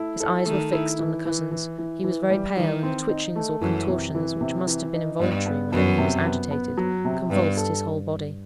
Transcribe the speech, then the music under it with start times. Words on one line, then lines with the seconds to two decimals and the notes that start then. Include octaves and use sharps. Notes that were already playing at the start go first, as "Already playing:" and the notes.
His eyes were fixed on the cousins; he was very pale, and the twitchings or contortions, which must have been involuntary whenever he was agitated, convulsed his whole body.
Already playing: A3 E4
0.20 A4
0.46 D#3 A3
0.72 E4
0.99 E3
1.25 E3
1.51 E3
1.78 E3
2.04 E3
2.31 G3
2.56 D#3 E3
2.83 C4
3.09 D#4
3.36 A3
3.61 F#2 E3
3.88 C3
4.15 E3
4.41 C3
4.67 E3
4.94 D#4
5.20 G2 B3
5.46 B3
5.72 F#2 B3
5.98 C3
6.26 B3
6.51 B3
6.77 F#3
7.05 C3
7.30 G2 B3
7.57 A4